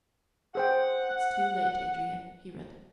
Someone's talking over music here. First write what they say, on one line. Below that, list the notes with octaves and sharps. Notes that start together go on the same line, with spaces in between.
"It's too late, Adrian," he read.
G#4 C5 F#5 G5